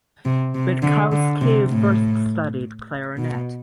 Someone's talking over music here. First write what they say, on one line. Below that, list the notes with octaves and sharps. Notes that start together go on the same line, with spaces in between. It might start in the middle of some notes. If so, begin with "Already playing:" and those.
Witkowski first studied clarinet.
C3
C3
D3
D3
C3
A2
B2